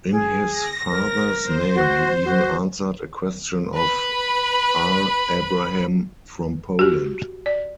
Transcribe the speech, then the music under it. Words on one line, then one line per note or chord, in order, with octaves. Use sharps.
In his father's name he even answered a question of R. Abraham from Poland.
G#4
A#6
A#4
C5
F#4
F#4
B4 B5
F#4 G4
D5